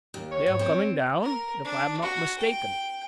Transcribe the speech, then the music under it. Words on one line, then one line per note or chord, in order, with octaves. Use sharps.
"They are coming down, if I am not mistaken."
D#2
C#5
G#2
C4
A#4
D4
F#4
G5